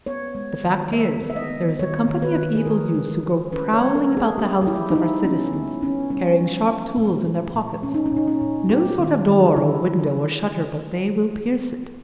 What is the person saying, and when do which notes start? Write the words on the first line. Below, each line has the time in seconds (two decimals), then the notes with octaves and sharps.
The fact is, there is a company of evil youths who go prowling about the houses of our citizens carrying sharp tools in their pockets;--no sort of door, or window, or shutter, but they will pierce it.
0.06 B3 C#5
0.35 G#3
0.64 D#3
0.93 G#3 E5
1.22 B3
1.30 E5
1.36 D#5
1.50 B3
1.79 D#3 C#5
2.08 D#3
2.22 B4
2.37 D#3
2.55 G#4
2.65 D#3 A#4
2.94 G#3
3.23 G#3
3.52 C#4 B4
3.74 C#5
3.80 G3
3.95 A#4
4.09 G3
4.17 G#4
4.38 A#3 G4
4.62 G4
4.67 G3 E4
4.90 D#4
4.95 G3 E4
5.24 B3 C#4
5.53 B3 E4
5.82 B3 C#4
6.10 G3 C#4
6.40 B3
6.68 E3
6.97 A#2
7.26 G#3
7.55 A#2
7.83 A#2 C#4
7.94 D#4
8.06 C#4
8.12 A#2 D#4
8.28 C#4
8.41 A#2
8.70 C#4 G4
8.98 D#3
9.27 D#3
9.56 D#3 E4